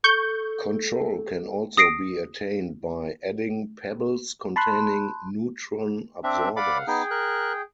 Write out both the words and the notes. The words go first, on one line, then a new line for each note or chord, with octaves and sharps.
Control can also be attained by adding pebbles containing neutron absorbers.
A4 C#6 G6
D#6 A#6 C7 D7
A5 B5 C6 F#6
C4 D4 E5
D5 F5 F#5 B5 D6
B3 D#4 G#4 G5
A#4 F#6